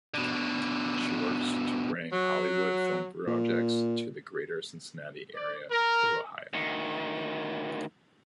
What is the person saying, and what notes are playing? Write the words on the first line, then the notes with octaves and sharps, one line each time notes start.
She works to bring Hollywood film projects to the Greater Cincinnati area of Ohio.
B2 D3
F#3
A#2
D5
A#4
D2 D#3